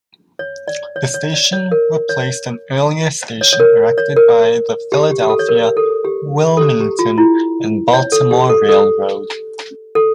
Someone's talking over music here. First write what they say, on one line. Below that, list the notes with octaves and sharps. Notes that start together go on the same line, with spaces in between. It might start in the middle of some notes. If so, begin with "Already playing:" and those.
The station replaced an earlier station erected by the Philadelphia, Wilmington and Baltimore Railroad.
C#5
D5
C#5
C#5
D5
C#5
A#4
C#5
C#5
C#5
A#4
C#5
A#4
G4
G4
G4
A4
C#5
A#4
A4
G4
A4
G4
G4
F4
E4
C#5
A4
G4
A4
A4
A4